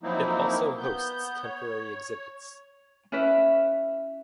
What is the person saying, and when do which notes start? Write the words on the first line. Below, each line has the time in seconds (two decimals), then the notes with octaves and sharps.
It also hosts temporary exhibits.
0.03 F3 F#3 A#3 C4 D#4 E4
0.78 B3 G6
1.43 C#5
3.12 C#4 E4 B4 E5